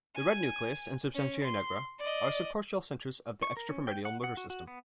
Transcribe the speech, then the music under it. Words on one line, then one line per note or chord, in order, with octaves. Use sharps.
The red nucleus and substantia nigra are subcortical centers of the extrapyramidal motor system.
G#5
C#4
C6
D5 D#5
C#6
A#4
C#4
G5
F#5
F#5
F#4
F#4
B3